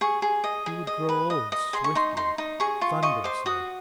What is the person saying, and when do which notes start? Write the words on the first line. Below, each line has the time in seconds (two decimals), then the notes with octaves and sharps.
He would grow old swiftly, thunderously.
0.01 G#4 C#6
0.22 G#4
0.44 D#5
0.66 G#4
0.87 D#5
1.09 B4
1.30 D#5
1.52 D#5
1.73 G#4 C6
1.84 C#6
1.95 D#4 C6
2.17 D#4 C6
2.38 D#4
2.60 G#4 C#6
2.81 F4 C#6
3.02 D#5 C#6
3.24 C5 D6
3.46 F#4 D#6